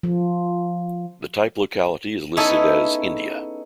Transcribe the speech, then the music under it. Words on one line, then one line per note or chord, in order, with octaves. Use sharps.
The type locality is listed as "India".
F3
B3 C#4 D#4 E4 G#4 A4